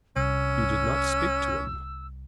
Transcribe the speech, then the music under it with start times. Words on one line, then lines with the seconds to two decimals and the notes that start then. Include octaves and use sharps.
'You did not speak to him.'
0.16 C2 C#4 E6